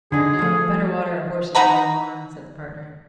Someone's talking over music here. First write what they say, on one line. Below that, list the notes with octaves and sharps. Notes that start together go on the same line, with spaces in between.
"No, better water our horses and go on," said the partner.
D3 D4 D#4 G#4
F3 A3
D#4 F#5 A#5 B5